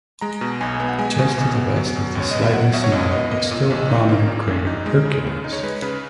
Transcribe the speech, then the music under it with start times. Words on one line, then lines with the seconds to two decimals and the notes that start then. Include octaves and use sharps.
Just to the west is the slightly smaller but still prominent crater Hercules.
0.21 G#3 A#5
0.41 B2
0.61 B1 G#5
0.80 B3
0.89 F#5
0.99 G#3 G#5
1.19 B2
1.38 B1
1.57 B3
1.76 F#3
1.96 B2
2.15 C#2 C#5
2.31 B3 D#5
2.42 E5
2.53 F#3 F#5
2.73 B2 E5
2.84 C#5
2.92 C#2 D#5
3.12 B3 D#5
3.31 A#3 D#5
3.51 A#2
3.70 A#1
3.90 D#4
4.09 A#3
4.28 A#2
4.47 A#1
4.67 D#4
4.86 G#3
5.05 C#3
5.25 C#2
5.44 D#4
5.53 C#5
5.63 G#3 B4
5.82 C#3 B4